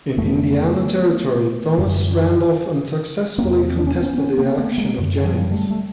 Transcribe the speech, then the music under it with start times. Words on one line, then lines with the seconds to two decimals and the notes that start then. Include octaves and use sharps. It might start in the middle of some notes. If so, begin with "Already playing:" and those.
In Indiana Territory, Thomas Randolph unsuccessfully contested the election of Jennings.
0.18 F2 C#3 A3 B3
1.78 F#2 D3
3.38 E2 C3 A#3 C4
3.79 D4
3.87 C#4
3.95 C4
4.03 B3 C#4
4.18 B3 C#4
4.38 A#3 C4
4.58 A3 B3
4.78 G#3 A#3
4.98 F#2 D3
5.25 F3 G3
5.51 G3 A3
5.70 A3